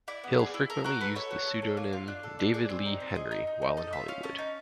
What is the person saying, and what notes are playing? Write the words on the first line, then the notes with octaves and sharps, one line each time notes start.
Hill frequently used the pseudonym David Lee Henry while in Hollywood.
E4 D5
B3
G#4
E4
A4 A#4
F#4 A#4
A4 B4
A4 C#5
F#4
A4
A4
A#3
F4
D4
A4
D4
G#4 D5
C4
D#4
C4
G#4 D#5
D#4
D#4
D#4
A4 D#5
F4 E5
C#4 F5
C#4 A5
D#4